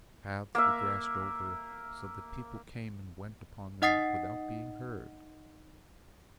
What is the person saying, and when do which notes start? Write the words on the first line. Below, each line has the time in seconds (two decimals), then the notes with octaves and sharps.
The paths were grassed over, so that people came and went upon them without being heard.
0.55 A#3 E5
3.82 D#4 D#5 F#5 D#6 A6 C7